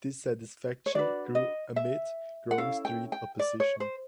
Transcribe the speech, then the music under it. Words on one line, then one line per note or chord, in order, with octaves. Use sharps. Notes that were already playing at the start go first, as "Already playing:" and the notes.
Dissatisfaction grew amid growing street opposition.
C#5
D4 F#4 B4 D5
D#5
E5
F#5
C#4 E4 A4 F5
G5
G5
D5
C#5
C5